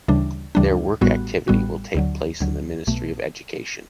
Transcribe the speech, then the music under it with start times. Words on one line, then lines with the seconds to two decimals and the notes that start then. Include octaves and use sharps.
Their work activity will take place in the Ministry of Education.
0.08 D2 C#3 E3 G3 D4
0.55 D2 C#3 E3 G3 D4
1.01 A1 A2 G3 B3 F#4
1.48 A1 A2 G3 B3 F#4
1.95 D2 D3 F#3
2.41 D2 D3 F#3
2.87 B1 B2 A3